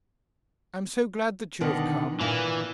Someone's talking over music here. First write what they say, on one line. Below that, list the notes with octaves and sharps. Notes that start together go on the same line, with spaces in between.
'I am so glad that you have come.'
B2 D3 D#3
A#2 E3